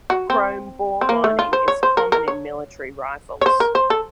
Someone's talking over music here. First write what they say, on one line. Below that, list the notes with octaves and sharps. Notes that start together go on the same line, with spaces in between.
Chrome bore lining is common in military rifles.
F#4
C4
C4
A#3
A3
F4
C5
C#5
C5
A#4
A#4
C#5
C#5
C5
A#4
C5
A4